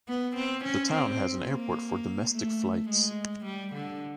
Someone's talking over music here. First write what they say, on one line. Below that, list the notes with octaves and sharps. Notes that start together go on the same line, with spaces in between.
The town has an airport for domestic flights.
B3
C4
C#4
C4
A#3
A3
G#3
G3
D3